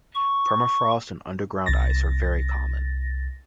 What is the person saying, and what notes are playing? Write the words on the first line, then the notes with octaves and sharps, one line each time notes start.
Permafrost and underground ice are very common.
C#6
C2 A6 A#6